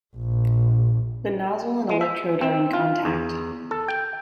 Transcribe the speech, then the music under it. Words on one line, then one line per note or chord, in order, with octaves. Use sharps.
The nozzle and electrode are in contact.
A#1
G#3
E5
C4
F4
E2
A4
G5